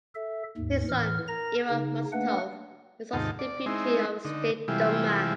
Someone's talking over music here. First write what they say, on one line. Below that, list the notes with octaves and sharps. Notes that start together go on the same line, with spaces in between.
His son, Ivan Musatov, is also a deputy of the State Duma.
A4 E5
D#2 G#2
A2 E3 F6
A#4 A#5 A#6
C#3 D#4
A3 A#3 D4 B4 F#5
D#2 G#2 C3 D#4 F4 A5
D5
G#3 C4 D#4 E4
D3 D#4
C3 E3 G3 G#3 E4 F4